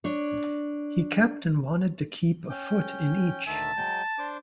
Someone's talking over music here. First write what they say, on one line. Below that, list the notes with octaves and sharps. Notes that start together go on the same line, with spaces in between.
He kept and wanted to keep a foot in each.
D4 C#5
C#4 G5
D2 D#3 E5 A5
F#3 G#3 G5
D4 C5 D6